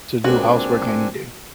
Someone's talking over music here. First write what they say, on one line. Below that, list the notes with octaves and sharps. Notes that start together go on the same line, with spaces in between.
to do housework any day. S
C#2 A#2 C4 D4 F#4 G#5